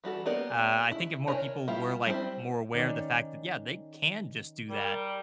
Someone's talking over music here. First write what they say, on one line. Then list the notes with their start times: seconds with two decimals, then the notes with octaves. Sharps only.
uh, I think if more people were, like, more aware of the fact yeah, they can just do that,
0.04 E3 G3 F#4 A4
0.25 A#3 B3 G4 A#4 D5
0.92 E4
1.27 D4 E4 A#4 C#5 G#5
1.68 G3 B3 E4 F4
2.06 G3 G#3 C4 E4 C5
2.75 D#3 C#4 D5
4.70 G3 A#4